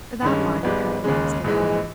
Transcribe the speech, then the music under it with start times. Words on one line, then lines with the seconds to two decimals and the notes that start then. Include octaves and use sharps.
That line apparently was given up.
0.22 G2 D#3 G#3 C#4
0.63 G#1 G#2 G3 B3
1.04 D#2 C#3 G#3
1.44 A#1 G#2 E3 G#3